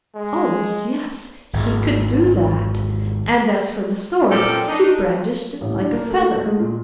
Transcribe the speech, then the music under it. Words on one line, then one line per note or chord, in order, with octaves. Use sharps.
Oh yes! he could do that, and as for the sword, he brandished it like a feather.
G#3
G#1 E2
F#2 A#2 F3 A4 D5 G5
D4 D#4
A1
D4
A#3
A3
A3
G#3
A#2